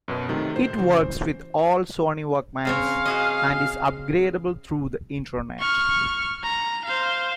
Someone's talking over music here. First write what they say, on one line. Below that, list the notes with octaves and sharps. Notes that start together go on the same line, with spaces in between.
It works with all Sony Walkmans, and is upgradable through the internet.
F#2 B2 B4
C3 D#3 F#3 A3
A2 C5
C#3 E3 F#3
C#3 C4 C#5 F5
F#4 G#4 D#5
C#6 F6
A#5
C5 F5